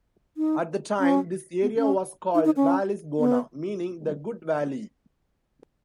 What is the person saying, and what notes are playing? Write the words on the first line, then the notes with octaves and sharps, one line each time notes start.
At the time, this area was called "Vallis Bona", meaning "the good valley".
D#4
C#4
B3
C#4
D#4
D#4
C#4
B3